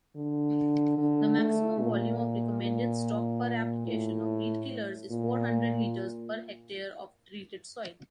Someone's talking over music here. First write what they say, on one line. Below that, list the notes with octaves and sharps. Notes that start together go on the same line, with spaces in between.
The maximum volume of recommended stock per application of weed killers is four hundred liters per hectare of treated soil.
D3
D3
A3
A#2
A#2
A2
A#2